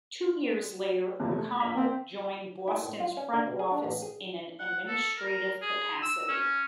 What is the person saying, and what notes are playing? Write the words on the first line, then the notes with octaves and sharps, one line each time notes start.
Two years later, O'Connell joined Boston's front office in an administrative capacity.
E2 C3 F3
A3
A#1 B6
A#3 C4
E4
A2
F4
C#4
D3
B2
G#4
D4
A1
G#4
F#5
A4
A#4
G#4
E6
C#4